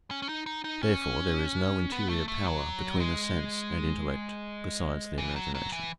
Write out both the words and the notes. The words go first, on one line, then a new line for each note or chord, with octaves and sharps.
Therefore there is no interior power between the sense and intellect, besides the imagination.
C#4
C#4
D#4
D#4
D#4
C#4
B3
A3
A3
F#3
G#3
E3
F#3
F#3
E3